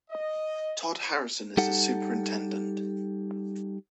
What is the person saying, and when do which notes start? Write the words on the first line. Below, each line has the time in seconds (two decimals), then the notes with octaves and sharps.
Tod Harrison is the superintendent.
0.11 D#5
1.57 G3 D#4 G4 A4 F#5